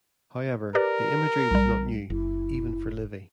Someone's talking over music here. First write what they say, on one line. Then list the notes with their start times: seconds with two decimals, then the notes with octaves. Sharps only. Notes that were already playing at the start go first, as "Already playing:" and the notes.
However, the imagery was not new, even for Livy.
0.75 G4 A#4 B4 D5
1.51 B1 G3
2.10 F#1 E4